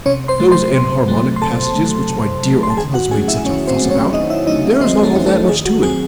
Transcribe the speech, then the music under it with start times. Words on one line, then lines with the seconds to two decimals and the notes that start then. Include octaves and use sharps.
Those enharmonic passages which my dear uncle has made such a fuss about, there's not all that much to it.
0.06 C3 C#4 C#5
0.28 C5 C6
0.40 F#3 A3
0.52 C5 C6
0.74 C3
1.08 F#3 A3
1.36 C6
1.41 C3 A4 A5
1.75 F#3 A3
2.10 C3
2.43 F#3 A3
2.63 C6
2.70 A5
2.77 D#3 G#4 G#5
2.94 F#4 F#5
3.11 F#3 A3 C#4 G#4 G#5
3.28 E4 E5
3.45 D#3 C#4 C#5
3.67 C4 C5
3.80 F#3 A3 C#4
3.90 C#4 C#5
4.13 D#3 D#4 D#5
4.30 E4 E5
4.47 F#3 A3 C#4 D#4 D#5
4.81 D#3 C4 C5
4.99 G#4
5.03 A3 A4
5.15 F#3 A3 C#4
5.26 A3 A4
5.49 D#3 G#4
5.65 F#4
5.83 F#3 C4 G#4